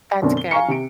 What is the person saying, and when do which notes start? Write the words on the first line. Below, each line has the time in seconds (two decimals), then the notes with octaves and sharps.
That's good.
0.22 F#2 B2 D3 C4
0.37 G7
0.51 F5 G#5 A#5 C#6 C#7
0.68 C3 D7